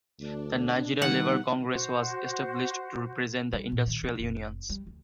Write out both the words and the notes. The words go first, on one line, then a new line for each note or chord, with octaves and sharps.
The Nigeria Labour Congress was established to represent the industrial unions.
D2 D4
D#3 G3 B3 D#4 F#5
F#4 C5
G3
A#2
D#3
F#3
F1
G3
D2